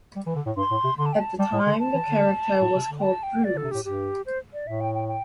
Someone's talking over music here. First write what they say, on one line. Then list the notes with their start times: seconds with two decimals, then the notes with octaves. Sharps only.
At the time, the character was called "Bruce".
0.16 G3
0.26 E3
0.35 D3
0.46 A2
0.57 G2 C6
0.71 A2
0.84 C3
0.98 D3 C6
1.06 A5
1.13 G5
1.20 A5
1.39 G3 A5
1.53 A2
1.59 C6
1.66 D3
1.79 A5
1.94 E3
2.07 D3
2.61 A2
2.76 C3
2.89 D3
2.99 G5
3.03 A5
3.23 G5
3.44 G3 D5
3.55 D3
3.57 A4
3.64 C3
3.71 A2 G4
3.85 G2 G4
4.26 C5
4.53 D5
4.67 A2 E5
4.81 G5
4.95 G5
5.08 G5